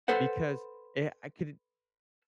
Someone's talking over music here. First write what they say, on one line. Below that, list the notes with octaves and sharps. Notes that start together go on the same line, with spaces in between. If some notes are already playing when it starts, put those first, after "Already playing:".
because, eh I could it
A4 B4 C5 F#5